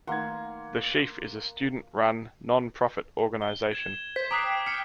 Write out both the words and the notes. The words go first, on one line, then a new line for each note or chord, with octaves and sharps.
"The Sheaf" is a student-run non-profit organization.
D#3 A3 A#3 D#4 F#5 C6 G#6
G7
G#6 E7
C5 B6
G5 A#5 D6 D#6 F#6 B6 C7
G5 F6 C7 C#7